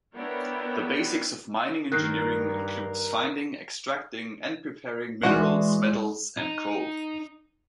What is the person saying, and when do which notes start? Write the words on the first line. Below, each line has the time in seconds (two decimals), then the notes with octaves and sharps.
The basics of mining engineering includes finding, extracting, and preparing minerals, metals and coal.
0.15 B3 D4 E4 A#4 C#5 G5
1.92 G2 D#3 A#4 F#6 C7
5.23 E3 G#3 E4 F#4 D5 C6
6.37 D#4